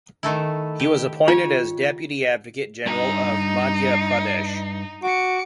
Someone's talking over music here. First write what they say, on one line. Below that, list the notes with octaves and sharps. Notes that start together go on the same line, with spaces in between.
He was appointed as Deputy Advocate General of Madhya Pradesh.
D#3 A3 E4
G4
F4 C#5
G2 D#4 A#5
F#4 D6 C#7